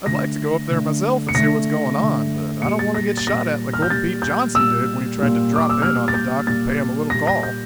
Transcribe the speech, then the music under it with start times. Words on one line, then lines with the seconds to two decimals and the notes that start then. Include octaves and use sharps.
I'd like to go up there myself and see what's going on, but I don't want to get shot at like old Pete Johnson did when he tried to drop in on the Doc and pay him a little call.
0.06 D3 A3 A#6
0.71 D3 A3
1.29 C#7
1.34 D3 A3 A#6
1.98 D3 A3
2.62 A#2 G3 C#7
2.79 A6
2.94 A#6
3.17 A6
3.27 A#2 G3 A#6
3.73 F6
3.82 G6
3.90 A#2 G3 A6
4.22 G6
4.54 A#2 G3 E6
5.18 A#2 G3
5.56 D6
5.69 E6
5.82 A#2 G3 F6
6.08 A6
6.14 G6
6.47 A#2 G3 A6
7.10 A#2 G3 A#6
7.27 A#6
7.43 G6